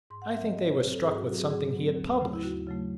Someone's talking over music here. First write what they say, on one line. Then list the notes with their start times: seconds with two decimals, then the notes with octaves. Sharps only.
"I think they were struck with something he had published."
0.10 G#2 C6
0.22 F#5
0.34 F#3 C4 E5
0.45 D#5
0.57 G#2 D#5
0.68 C#5
0.80 F#3 C4 C5
0.92 A4
1.03 G#2 G#4
1.14 F#4
1.27 F#3 C4 F#4
1.38 G#4
1.49 G#2 G#4
1.73 F#3 C4
1.96 D#2
2.19 C#3 F#3 A3
2.33 E4
2.43 D#2 F#4
2.67 C#3 F#3 A3